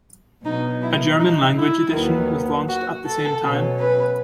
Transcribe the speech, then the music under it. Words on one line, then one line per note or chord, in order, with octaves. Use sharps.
A German language edition was launched at the same time.
B2 F#3 B3 D#4
E4
D#4
E4
D#2 D#3 F#3 B3
F#4
A4
B2 F#3 C#4
B4